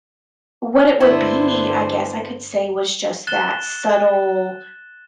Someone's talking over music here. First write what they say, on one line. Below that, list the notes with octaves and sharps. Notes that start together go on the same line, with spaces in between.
What it would be, I guess I could say was just that subtle,
G2 D3 B3 E4 B4 C5
F#6 A6 E7 G7